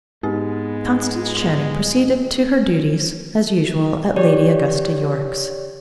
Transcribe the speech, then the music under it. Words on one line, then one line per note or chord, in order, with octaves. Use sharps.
Constance Channing proceeded to her duties as usual at Lady Augusta Yorke's.
G#2 G#3 B3 C4 G4 A6
G4 C#5 D5